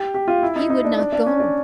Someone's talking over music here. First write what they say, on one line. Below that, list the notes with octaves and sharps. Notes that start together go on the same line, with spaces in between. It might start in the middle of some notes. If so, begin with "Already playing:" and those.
He would not go.
Already playing: G4
G4
F4
E4
D#4
D#4
D4
D4
D4
C#4
D4